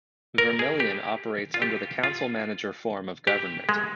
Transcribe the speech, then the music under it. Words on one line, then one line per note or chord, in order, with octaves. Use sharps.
Vermillion operates under the council-manager form of government.
A#4
G#4
G4
F4
G4
F4
G4
G#3